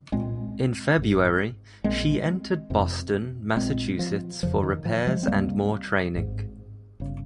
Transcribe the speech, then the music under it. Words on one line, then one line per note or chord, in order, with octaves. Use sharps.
In February, she entered Boston, Massachusetts for repairs and more training.
C2 A#2 G#3 C4
G#1 G#2
A#1 A#2 G#3 C4
F1 F2 C3
A#1 A#2 G#3 C4
F3
F1 F2 C#3 F3
D#3
F3
F3 G#3
C4
C#2 G3 A#3
C3
G#1 G#2
G1 C#3